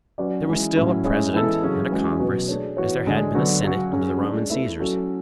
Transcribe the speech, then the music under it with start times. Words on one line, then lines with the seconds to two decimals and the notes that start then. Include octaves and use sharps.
There was still a president and a congress, as there had been a Senate under the Roman Caesars.
0.18 F#3 C#4 F#4 B4 D5
0.46 E3 G#3 C#4 E4
0.76 A2 F#3 C#4 E4
1.04 G#3 C#4 E4 G#4 C#5
1.33 E3 G#3 B3 E4 A4
1.62 C#3 F#3 C#4 G#4
1.91 E3 G#3 C#4 F#4
2.20 B2 F#3 B3 F#4
2.48 A3 D4 G#4 C#5
2.77 E3 B3 F#4 C#5
3.07 D3 G#3 D4
3.35 D3 F#3 B3 F#4
3.64 C#3 F#3 C#4 F#4
3.93 F#3 C#4 G#4
4.21 G#3 D4 G#4
4.50 A3 E4 B4 E5
4.79 F#3 C#4 F#4 A4